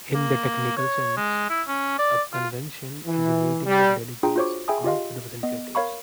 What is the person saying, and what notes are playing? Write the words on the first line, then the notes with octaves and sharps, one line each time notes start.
In the technical sense, a convention is a meeting of delegates or representatives.
A#3
C#5
G#3
E4
C#4
D5
F4
E3
G3
D4 F4 G#4 G5 A#5
F4 F#4 C5 C#5 C#6 D6
G#4 E5 G5 G#5 B5 D#6
F4 G4 D#5 F5 C6
B3 D#5
A#4 C#5 F5 B5 C#6